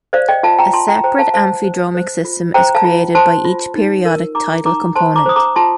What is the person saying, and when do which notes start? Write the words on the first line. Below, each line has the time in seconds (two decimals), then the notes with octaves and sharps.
A separate amphidromic system is created by each periodic tidal component.
0.13 C5 D5 F5
0.29 D#5 G5
0.43 F4 F5 A5
0.59 G5 A#5
0.73 F4 A5 C6
0.88 G5 A#5
1.04 C5 G5 A#5
1.19 F5 A5
1.34 C5 F5 A5
1.64 C5
1.95 C5
2.25 F4
2.54 C5 G5 A#5
2.75 F5 A5
2.84 F4
3.15 C5 A5 C6
3.45 F4
3.75 D#4
4.05 A#4
4.35 D#4 A#5 D6
4.65 D#4 A#5 D6
4.96 C5 A5 C6
5.16 A#5 D6
5.26 C5 D#6
5.36 A#5 D6
5.56 F4 A5 C6